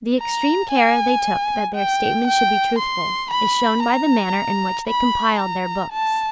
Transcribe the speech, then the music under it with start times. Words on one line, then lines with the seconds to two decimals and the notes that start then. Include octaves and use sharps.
The extreme care they took that their statements should be truthful is shown by the manner in which they compiled their books.
0.20 A#5
0.72 G#5
1.76 G5
2.27 G5
2.79 C6
3.31 B5
3.84 A#5
4.88 B5
5.40 A#5
5.92 A5